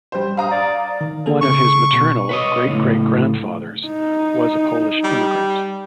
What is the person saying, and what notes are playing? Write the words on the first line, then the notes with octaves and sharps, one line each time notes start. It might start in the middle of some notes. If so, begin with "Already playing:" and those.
One of his maternal great-great-grandfathers was a Polish immigrant.
G3 C5
F5 A#5 D#6
D5
D#3
A#3 G#4 A4
C#3 C#6
B2
B4 C#5 D#5
C#2 A2
D#4
G3